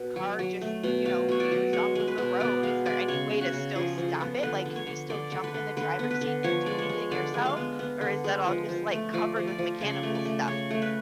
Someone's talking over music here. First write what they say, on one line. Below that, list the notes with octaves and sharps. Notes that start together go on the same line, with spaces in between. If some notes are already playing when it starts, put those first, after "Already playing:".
car just, you know, veers off of the road? Is there any way to still stop it? Like, can you still jump in the driver's seat and do anything yourself, or is that all just, like, covered with mechanical stuff?
Already playing: B2
F#3
F#3
A3
B2
F#3 F5
B2 C#5
D5
F#3
G#3 C#5
G#3
B4
B2
B3 D5
G#3 F5
G#3 D5
C#3 C#5
C#3
F#4
C#3
F3 G#4
F3
A4
B3
D3 B4
D3
C#5
D3
D3 D5
D3
B4
D3
D3 B4
B3
B4
D3
F3 C#5
G#3 D5
C#5
G#3
D3 D5
G#3
F5
B3
B3
D3
G#3
F3
F3
A3
F3 D5
F3
D5
F3
C#3 D5
A3
D5
A3
C#3 C#5
A3
B4